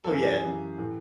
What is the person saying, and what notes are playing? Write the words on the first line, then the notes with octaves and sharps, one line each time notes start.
Oh, yeah.
A4
F#2 C#3 E3 G#4
G4
G#4
F#2 C#3 E3
A2 E3